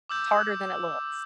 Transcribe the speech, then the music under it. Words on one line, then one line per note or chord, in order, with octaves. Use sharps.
T harder than it looks.
D6 E6 G6